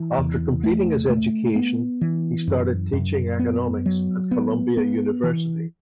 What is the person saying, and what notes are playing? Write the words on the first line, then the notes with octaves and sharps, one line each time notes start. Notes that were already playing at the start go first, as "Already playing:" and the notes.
After completing his education, he started teaching economics at Columbia University.
Already playing: E3
E2
A3
A3
B3
E3
F#2
F#2
B3
F#3
B3
B3
E3